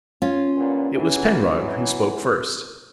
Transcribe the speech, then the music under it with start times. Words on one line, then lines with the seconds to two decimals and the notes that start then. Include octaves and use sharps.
It was Penrod who spoke first.
0.22 C#4 F4
0.57 G2 A#2 F#3
0.95 E3 F#3